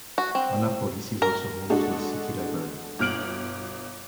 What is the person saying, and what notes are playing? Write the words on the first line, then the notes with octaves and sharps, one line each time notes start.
Annapolis is also home to a city library.
F#4
C4
A#4
G#3 D4 F#4 A4
G1 B2 F6 D7 F#7